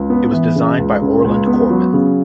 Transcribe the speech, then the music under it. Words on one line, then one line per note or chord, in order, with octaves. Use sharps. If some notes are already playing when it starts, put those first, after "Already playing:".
It was designed by Orland Corben.
Already playing: C#2
B3
E3
C#3
C#2
C#3
C#2
B3
F#3
C#3